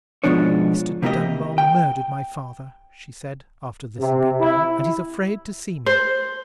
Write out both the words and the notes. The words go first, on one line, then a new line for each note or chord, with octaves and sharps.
"Mr. Dunbar murdered my father!" she said, after this had been done; "and he's afraid to see me!"
G#2 B2 F3 B3 D4 C#5
C3 A#3 E4 G4 D#5
G5
C3
E4
C5